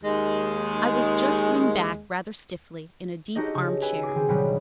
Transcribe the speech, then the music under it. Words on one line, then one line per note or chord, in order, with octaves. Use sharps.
I was just sitting back, rather stiffly, in a deep arm-chair.
D#2 G#3
D#4 F#4 G4 A4 D#5
C#3
B4 G#5 E6
G#4 D6
D#3 C4
G#1 B2 D3 D#3 F#3 G3